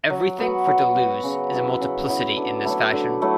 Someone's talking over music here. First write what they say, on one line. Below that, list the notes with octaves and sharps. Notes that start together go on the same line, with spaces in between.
Everything for Deleuze is a multiplicity in this fashion.
F#3
B3 F#4
F#3
B3 F#4
C#3
F#3 B3 E4
C#3
F#3 B3 E4
D3
F#3 A3 E4
D3
F#3 A3 E4